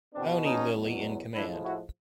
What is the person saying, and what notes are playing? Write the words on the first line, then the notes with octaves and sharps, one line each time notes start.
"Tony" Lilly in command.
E2 B2 G#3 B3 C4 D4
C#4 D#4
E2 B2 F#3
A2 F3 G#3 D4 E4
E4 F#4